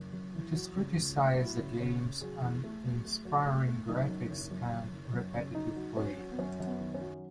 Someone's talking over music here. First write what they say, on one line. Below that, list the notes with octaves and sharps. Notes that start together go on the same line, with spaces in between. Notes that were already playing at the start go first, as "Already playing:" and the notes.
It criticized the game's uninspiring graphics and repetitive play.
Already playing: F#1
F#2
E3
F#3
C#3
C#2
A3
F#3 E4
C#3
C#3
C#3
F#3 G#4
E2
A3
F#3
A3
F#3
A3
A3
F#1 D#4
F#2
F#1
F#2
F#2
F#1
F#2
C#3
F#3 D#4
F#3
D#4
F#3 C#4
F#3
B3
F#2 C#4
F#2
B3
D#3
C#4
F#3